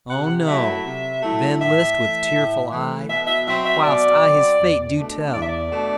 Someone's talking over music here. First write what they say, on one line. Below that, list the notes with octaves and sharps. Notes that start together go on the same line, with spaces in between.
O no. Then list with tearful eye, Whilst I his fate do tell.
C3 F#5
F#3 A3 E4 E5
C3
F#3 A3 E4
A2 E5
E3 A3
A2
E3 A3
B2 E5
E5
F#3 C4 E5
E5
B2 D5
F#3 C4
E2
B2 A3 D4
E2 D5
E5
D5
B2 A3 D4